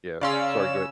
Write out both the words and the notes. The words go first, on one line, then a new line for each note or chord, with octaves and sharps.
yeah, sorry, go ahead.
C#3 C#4 D5 F5 C6 E6